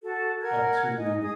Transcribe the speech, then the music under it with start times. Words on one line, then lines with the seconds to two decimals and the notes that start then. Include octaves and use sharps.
up to"
0.03 F#4 A4 A5
0.41 A#4 F#5 F6 G#6
0.97 D#4 D#5 G#5
1.21 G#4 D#6